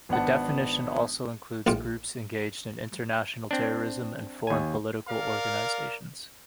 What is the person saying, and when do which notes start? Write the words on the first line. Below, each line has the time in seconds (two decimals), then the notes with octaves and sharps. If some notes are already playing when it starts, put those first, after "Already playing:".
The definition also includes groups engaged in international terrorism and foreign political organizations.
0.09 G#1 B3 D4 F#5 A5
1.67 A#1 A2 F4 G5
3.51 C4 D4
4.47 D#2 G#5
5.09 A#4 D5 F5